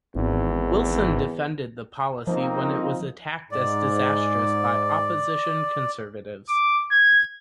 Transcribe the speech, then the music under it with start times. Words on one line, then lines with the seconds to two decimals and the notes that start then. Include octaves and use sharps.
Wilson defended the policy when it was attacked as disastrous by opposition Conservatives.
0.15 G#1 E2
2.27 F3 A#3 C4 D#4
3.51 G#2 D5
6.49 D6
6.91 G#6